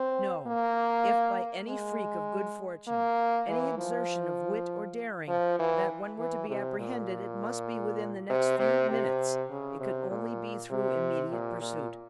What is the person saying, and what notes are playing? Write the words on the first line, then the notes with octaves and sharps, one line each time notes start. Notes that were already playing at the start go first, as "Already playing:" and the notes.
No; if by any freak of good fortune, any exertion of wit or daring, that one were to be apprehended, it must be within the next few minutes, it could only be through immediate pursuit.
Already playing: C4
A#3
G#3
A#3
E3
F3
F3
E3
E3
C3
A#2
C3
C3
C3
C#3
C3
A#2
C3
A#2
A#2